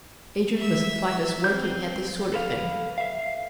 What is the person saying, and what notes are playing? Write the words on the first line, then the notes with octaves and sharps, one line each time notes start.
Adrian mustn't find us working at this sort of thing.
E5 E6
C4 G6
A4 B4 F5
E5 F5